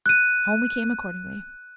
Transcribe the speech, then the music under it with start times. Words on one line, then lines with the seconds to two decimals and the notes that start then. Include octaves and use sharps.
Home we came accordingly.
0.06 F#6 D#7